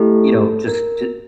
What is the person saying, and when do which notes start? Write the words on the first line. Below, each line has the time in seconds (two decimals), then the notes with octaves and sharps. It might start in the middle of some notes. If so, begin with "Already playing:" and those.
you know, just ju
Already playing: A3 E4 G4 A4
0.68 A#4